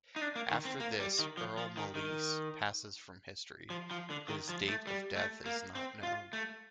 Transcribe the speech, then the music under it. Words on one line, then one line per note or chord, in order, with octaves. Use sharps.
After this, Earl Malise passes from history; his date of death is not known.
D#4
D4
A#3
D#3
C4
A#3
G3
D#3
F3
F3
D#3
D#3
F3
F3
D3
D#3
F3
A3
G3
A3
A#3
C4
F4
A3